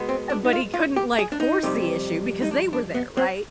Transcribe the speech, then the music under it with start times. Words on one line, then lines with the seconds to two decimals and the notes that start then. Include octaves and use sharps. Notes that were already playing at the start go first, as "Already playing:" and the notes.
Uh, but he couldn't, like, force the issue because they were there, right?
Already playing: B2 G#3 B3
0.09 C4
0.30 D4
0.45 D#4
0.53 F4
0.74 F4
0.96 G4
1.19 G#4
1.32 D4
1.40 D#4
1.63 F2 C3 G3
2.42 D#4
2.51 D4
2.73 D4
2.94 B3
3.17 C4